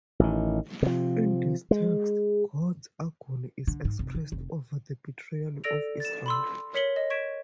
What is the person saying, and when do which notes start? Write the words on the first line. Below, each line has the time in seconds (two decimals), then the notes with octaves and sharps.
In this text, God's agony is expressed over the betrayal of Israel.
0.20 A1 D#3
0.83 C3 F3
1.71 G#3
3.67 D3
3.85 G#2
3.99 F1
4.15 D#3
4.32 F1
5.64 A4 D5 E6 A#6 D7 F7
6.00 A6 E7
6.26 B5 C6 E6
6.74 A#4 C#5 B6 C#7 F#7 G7
6.96 D#5
7.10 C#6 G#6 B6 D7 E7